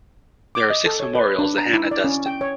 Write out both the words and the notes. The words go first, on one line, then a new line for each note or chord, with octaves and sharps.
There are six memorials to Hannah Duston.
D6
D#5
A4
C#5
B4
D4
A#5
E4
D5
C#4
G5
C#5